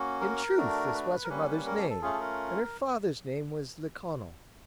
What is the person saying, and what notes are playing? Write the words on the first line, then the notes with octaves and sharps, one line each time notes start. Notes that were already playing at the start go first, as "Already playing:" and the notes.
In truth this was her mother's name, and her father's name was Liconal.
Already playing: A#3 C#4 F#4
A#4
A3 D4 F#4
B4
B4
A#4
G3 A#3 C#4 B4
B4
A#4
A4
A4
A3 C#4 F4 G#4
A4
A#4